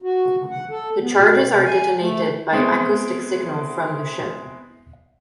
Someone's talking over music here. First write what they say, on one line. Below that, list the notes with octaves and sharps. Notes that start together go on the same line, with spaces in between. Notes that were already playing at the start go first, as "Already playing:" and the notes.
The charges are detonated by acoustic signal from the ship.
F#4
F#5
A4
B3
B2
C3
G#5
A3
G#3 B3 C4 E4